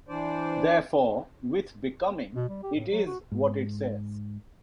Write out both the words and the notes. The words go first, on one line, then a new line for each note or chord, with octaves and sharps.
Therefore, with 'Becoming,' it is what it says.
E3 D4 C5 D5
B2
G3
G4
A2
F#3
F#4
G#2